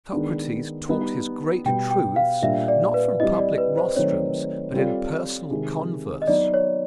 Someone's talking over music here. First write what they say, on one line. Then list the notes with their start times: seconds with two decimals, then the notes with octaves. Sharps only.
Socrates taught his great truths, not from public rostrums, but in personal converse.
0.12 D#3 G#3 B3 D4
0.89 G3 B3 D#4
1.65 B2 G3 B3 G5
1.91 G5
2.16 F5
2.42 A#2 G3 A#3 D4 E5
2.68 D5
2.94 B4
3.20 G3 C4 E4 D#5
3.39 D5
3.58 B4
3.78 C5
3.96 D#3 F#3 A3 C4 C#5
4.74 G3 C4 F4 A4 D5
5.51 C3 D#3 G#3
6.22 D#5
6.27 F#3 B3 D#4 D5
6.54 C#5